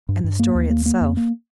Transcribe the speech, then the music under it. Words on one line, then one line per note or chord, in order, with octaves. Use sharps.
And the story itself.
G2
G2
A#3
D#2
A#3
A#3
F2
A#3